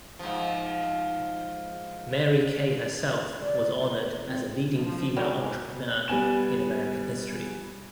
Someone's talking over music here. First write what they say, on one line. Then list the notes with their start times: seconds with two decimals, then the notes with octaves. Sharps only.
Mary Kay herself was honored as a leading female entrepreneur in American history.
0.19 G#2 F3
3.41 D5
3.84 B4
4.27 C4
4.76 B1 F3
5.17 G#2 G3 F#4 A#4 C#5
6.08 G3 B3 G#5 E7